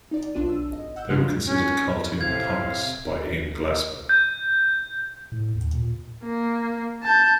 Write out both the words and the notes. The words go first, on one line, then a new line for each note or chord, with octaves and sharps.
They were considered "cartoon punks" by Ian Glasper.
D#4 D5
B1 D4 F4 D#7
E6
G#1 D#5
F#5 E6 G6
C#3 F3 G#3 D4 F4
C#4
A2 C3 F5 G#6
G6
A2
D#2
A#2
A#3
A5 G6